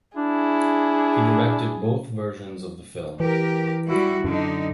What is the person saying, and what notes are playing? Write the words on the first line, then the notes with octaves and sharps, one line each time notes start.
He directed both versions of the film.
D4 E4 G#4
E3 G4 A#4
G3 E4 F#4
F#2 D3 D#4